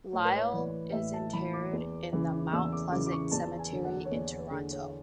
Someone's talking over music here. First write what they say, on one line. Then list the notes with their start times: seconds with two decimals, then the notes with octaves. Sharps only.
Lyall is interred in the Mount Pleasant Cemetery in Toronto.
0.13 A2 C#5
0.25 B4
0.35 C#5
0.53 E3 D5
0.92 A2 E5
1.13 A5
1.33 E3 B5
1.53 D6
1.73 E2
2.13 C#3 E3
2.53 E2 E6
2.72 D6
2.92 C#3 E3 D6
3.06 D6
3.12 C#6
3.31 E2 A5
3.59 G#5
3.72 D3
3.85 F#5
4.05 C#5
4.11 E2 D5
4.32 C#5
4.51 D3 G#4
4.71 C#5